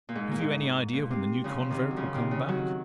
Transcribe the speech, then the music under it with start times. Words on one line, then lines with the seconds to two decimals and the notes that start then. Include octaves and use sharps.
Have you any idea when the new convert will come back?
0.09 A#2
0.15 G#2
0.32 A#2
0.41 G#2
0.93 A#2
1.11 C3
1.44 C#3 F3
1.71 C3 D#3
1.91 F#3
1.96 C#3 F3
2.14 C3 D#3
2.31 C#3
2.48 D#3 F#3